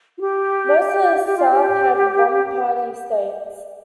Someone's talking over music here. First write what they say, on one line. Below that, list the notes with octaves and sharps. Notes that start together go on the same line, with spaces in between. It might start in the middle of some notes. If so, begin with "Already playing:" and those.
Most of the South had one-party states.
F4
G4
G4
F4
G4